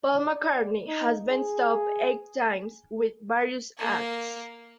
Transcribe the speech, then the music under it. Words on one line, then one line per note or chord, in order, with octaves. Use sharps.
Paul McCartney has been top eight times with various acts.
D5
D#4
G#4
A#3 A#4